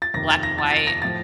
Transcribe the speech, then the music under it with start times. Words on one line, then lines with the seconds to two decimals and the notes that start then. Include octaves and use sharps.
black and white,
0.02 A6
0.14 F1 D#2 D#3 A#6
0.29 A6
0.43 A#6
0.58 A6
0.72 A6
0.87 A#6
1.02 A2 F3 A6